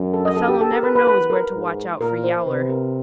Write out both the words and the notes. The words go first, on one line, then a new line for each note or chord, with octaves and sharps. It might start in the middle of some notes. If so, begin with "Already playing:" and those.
A fellow never knows where to watch out for Yowler.
Already playing: F#2
A4
D#5
A4
G4
A4
A#4
B4
B4
B4
A#4
G#2
A#2 A#4
C5
C3 B4
A#4